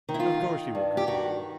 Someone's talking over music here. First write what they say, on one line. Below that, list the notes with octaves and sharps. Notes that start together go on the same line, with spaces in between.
"Of course he will come."
D#3
E4
F4
D#3
G2
G4
D#3 F#4